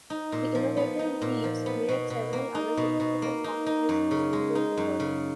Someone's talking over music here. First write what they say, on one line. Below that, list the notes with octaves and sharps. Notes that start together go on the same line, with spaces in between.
The innovative Reeves made several other significant contributions to pro football.
D#4
A#2
F3
B3
D#4
A#2
F3
B3
B2
B2
A#3
D#4
B2
B2
A#3
D#4
D#4
F#2
C#3
G#3
D#4
F#2
C#3